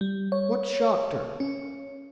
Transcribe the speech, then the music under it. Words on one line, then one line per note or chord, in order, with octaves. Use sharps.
"What shocked her?"
G3
C#5
C#4